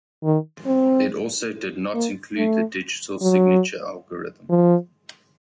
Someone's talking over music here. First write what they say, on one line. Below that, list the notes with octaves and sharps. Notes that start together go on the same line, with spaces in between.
It also did not include the Digital Signature Algorithm.
D#3
C4
A#3
A3
F#3
F3